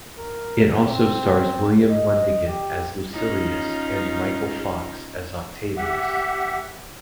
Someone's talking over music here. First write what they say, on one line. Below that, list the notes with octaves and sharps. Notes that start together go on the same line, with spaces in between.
It also stars William Lundigan as Lucilius and Michael Fox as Octavius.
A#4
C4
D#5
G4
C#4 D#4 F4
G4 E5 F#5